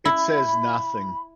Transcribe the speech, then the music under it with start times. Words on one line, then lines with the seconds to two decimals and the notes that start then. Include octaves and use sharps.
It says nothing.
0.05 E4 B5